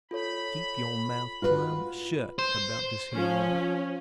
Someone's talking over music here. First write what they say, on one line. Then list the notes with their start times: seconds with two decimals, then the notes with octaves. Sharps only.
Keep yo' mouth plum' shut about this here war.
0.11 F4 A4 C#5 B5
1.42 F4 F#4 B4
2.39 C5
3.15 F3 C#4